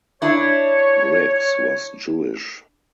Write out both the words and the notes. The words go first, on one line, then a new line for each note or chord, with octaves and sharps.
Griggs was Jewish.
D4 E4 C#5